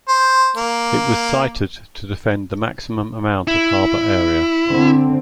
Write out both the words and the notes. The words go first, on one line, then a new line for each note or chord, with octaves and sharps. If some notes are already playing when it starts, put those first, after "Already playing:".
It was sited to defend the maximum amount of harbor area.
C5
A#3
E4
D3 C4